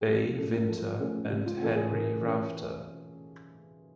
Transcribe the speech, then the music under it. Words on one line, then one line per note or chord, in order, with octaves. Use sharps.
A. Vinter and Henry Rafter.
G#4
F3 G4
G#4
A3 C#4 A4
A#4
F3 A4
A3 C#4 G#4
C#3 G4
F4
E3 A3 C#4 A4
G#4
C#3 A#4
E3 A3 C#4